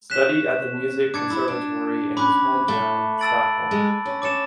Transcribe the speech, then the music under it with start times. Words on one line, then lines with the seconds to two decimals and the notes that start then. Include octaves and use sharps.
Studied at the music conservatory in his hometown, Stockholm.
0.10 C#4 F#6 B6 E7
1.14 D4 D6 G#6 C#7
1.30 E4
1.48 D4
2.17 C#4 B5 D6 F#6
2.68 A3
3.19 A5 E6 A6 D7 F#7
3.71 G#3
4.05 C#4
4.22 C#4 D6 A6 C#7 E7